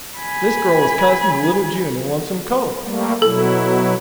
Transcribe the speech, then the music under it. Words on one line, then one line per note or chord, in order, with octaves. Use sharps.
This girl was cousin to little June in Lonesome Cove.
G#5 B5
G3 A3 A#3
B2 F#3 E4 A4